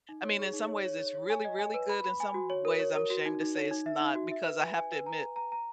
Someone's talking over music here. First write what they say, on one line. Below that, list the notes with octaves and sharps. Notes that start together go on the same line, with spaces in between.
I mean, in some ways it's really, really good. In some ways, I'm shamed to say it's not, because I have to admit,
D#4
C#5
G#4
D#4
C#5
C#5
C#5
C#5
G#5
D#5
G#5
B4
B5
B5
G#5
F#4
C#5
A#4
C#5
A#4
F#4
D#4
D#4
C#5
D#4
E5
D#4
F#4
E5
B4
G#5
G#5
B4
A#5
A#5
A#5
A#5